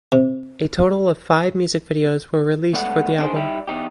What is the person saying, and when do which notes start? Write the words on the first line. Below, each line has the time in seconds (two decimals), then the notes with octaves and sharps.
A total of five music videos were released for the album.
0.12 C3
2.73 C#2 G2 A3 B3 D5 F#5
3.19 D4 D#4 G#4 A#4 C5
3.36 G3 D#4 E4 G4
3.67 E2 D#4 G4